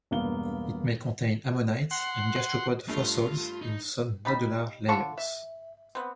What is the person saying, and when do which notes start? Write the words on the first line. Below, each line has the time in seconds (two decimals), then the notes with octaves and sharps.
It may contain ammonite and gastropod fossils in some nodular layers.
0.11 E1 G2 A#3 B3 F5 G7
1.91 F#5 C6
2.88 G2 A3 F4
3.62 D#4
4.25 G3 D#4 B5
4.88 D3 F4 A4 C#6
5.18 E5
5.95 B3 C4